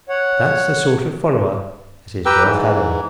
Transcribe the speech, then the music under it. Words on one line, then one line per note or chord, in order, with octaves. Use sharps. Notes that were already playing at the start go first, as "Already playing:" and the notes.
That's the sort of follower that is worth having!
C#5 F#5
G4 B4 G5 A#5 E6
G#2 E3